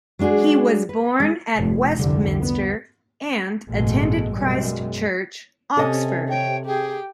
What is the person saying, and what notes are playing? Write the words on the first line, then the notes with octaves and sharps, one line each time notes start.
He was born at Westminster and attended Christ Church, Oxford.
F#3 G#3 D4 F#4 G#4
B4
G#3
F1 G2
C2 F2 D3 G3
B3
A1 G2 B2 G#3 A3
F#2 B2 G3 G#3
C3 C#4 A4 D#5
C#5 G5
G4 G#4 G5